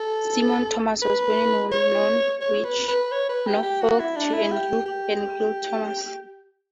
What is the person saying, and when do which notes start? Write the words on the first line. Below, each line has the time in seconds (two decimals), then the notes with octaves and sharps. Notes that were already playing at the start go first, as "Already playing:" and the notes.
Simon Thomas was born in Norwich, Norfolk to Andrew and Gill Thomas.
Already playing: A4
1.02 B4
1.72 C#5
2.41 C#5
2.65 B4
2.88 B4
3.12 C#5
3.29 B4
3.47 G4
3.63 G4
3.82 F#4
3.99 E4
4.17 D4
4.33 E4
4.52 G4
4.86 G4